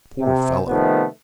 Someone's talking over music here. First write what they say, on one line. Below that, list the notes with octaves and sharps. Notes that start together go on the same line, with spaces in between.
"Poor fellow!"
C3
C3 D#3 F3 A3 B3